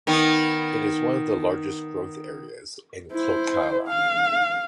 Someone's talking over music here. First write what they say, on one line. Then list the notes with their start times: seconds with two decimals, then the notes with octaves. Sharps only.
It is one of the largest growth areas in Klaukkala.
0.07 D#3 B3
3.12 E4 C5
3.88 F5